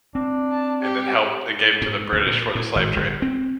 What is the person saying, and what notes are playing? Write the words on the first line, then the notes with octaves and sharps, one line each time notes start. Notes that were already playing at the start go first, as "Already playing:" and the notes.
and then helped and gave 'em to the British for the slave trade,
C4 D4
A5
G4
G#2
D2
A#2
A2
G#1
G1
C4